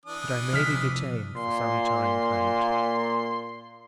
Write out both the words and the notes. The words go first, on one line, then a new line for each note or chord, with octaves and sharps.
But I may be detained for some time, Clement.
E3 D4 D#6
C3 F3 F6 B6
A#2 C6